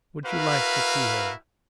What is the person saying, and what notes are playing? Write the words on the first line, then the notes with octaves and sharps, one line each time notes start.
Would you like to see her?
E4 F#4 A#4 B4 F5